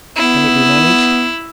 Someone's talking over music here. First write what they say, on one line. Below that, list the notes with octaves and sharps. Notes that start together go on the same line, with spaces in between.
"Can it be managed?"
B3 E4